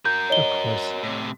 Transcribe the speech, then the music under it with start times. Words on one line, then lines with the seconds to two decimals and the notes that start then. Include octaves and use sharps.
Of course, yea
0.05 F#4 A#4 G6
0.30 C#5 D#5 G7
1.03 A2 C3